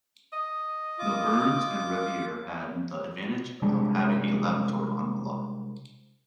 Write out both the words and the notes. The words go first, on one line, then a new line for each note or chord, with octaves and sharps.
The Burns and Revier had the advantage of having a laboratory on the lot.
D#5
F4 D6
C3 G3 G#3 D4